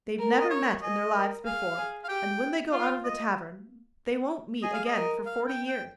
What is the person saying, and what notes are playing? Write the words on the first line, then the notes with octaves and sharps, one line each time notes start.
They've never met in their lives before and, when they go out of the tavern, they won't meet again for forty years.
A#4
D#5
C#5
G#4 D#5
A#4
G#4 F5
G#4
F5
G4 G5
F4 F5
D#5
G#4 D#5
F5
D#5
A#4
F5
G5
G5